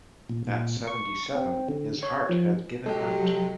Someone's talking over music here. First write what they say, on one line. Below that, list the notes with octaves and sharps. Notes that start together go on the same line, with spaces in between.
At seventy-seven, his heart had given out.
A#2
A#2
C#6
C4
D3
C#5
F3
C3 F#3 G#3 G4 A4